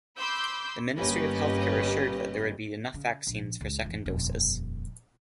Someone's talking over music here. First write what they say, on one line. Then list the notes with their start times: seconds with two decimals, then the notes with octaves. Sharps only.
The Ministry of Healthcare assured that there would be enough vaccines for second doses.
0.18 B5 C6 D6 E6 G6
0.97 G1 A#3 C#4 G4 B4 D#5
2.94 C#3
3.27 A#1
3.61 C#2
3.84 F1 E3
4.06 D#1 F2